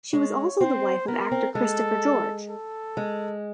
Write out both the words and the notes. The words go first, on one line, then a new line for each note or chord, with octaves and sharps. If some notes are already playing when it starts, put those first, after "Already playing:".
She was also the wife of actor Christopher George.
G#3 C#5
C4 C5
B3 A#4
C4
G#3 A4
A4
G#3